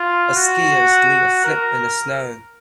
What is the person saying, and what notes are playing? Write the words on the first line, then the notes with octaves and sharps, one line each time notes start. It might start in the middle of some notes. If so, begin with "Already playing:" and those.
A skier is doing a flip in the snow.
Already playing: F4
F#4
A#4